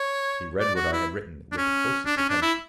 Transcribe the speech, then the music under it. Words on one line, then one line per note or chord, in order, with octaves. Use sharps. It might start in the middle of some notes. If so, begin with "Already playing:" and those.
He read what I had written with the closest attention.
Already playing: C#5
D5
F#4
E4
D4
C#4
D4
C#4
D4
E4